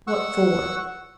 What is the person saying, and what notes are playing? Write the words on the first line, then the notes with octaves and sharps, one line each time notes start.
What for?
F#5 C#6 E6